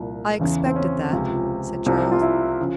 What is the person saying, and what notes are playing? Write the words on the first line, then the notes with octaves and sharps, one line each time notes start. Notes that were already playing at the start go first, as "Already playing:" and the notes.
"I expected that," said Charles.
Already playing: C2 A#2 F3
E2 C#3 E3
C4
C#4
C#2 C3 F3
C2 C3 F3
F4
E4
C#3 F3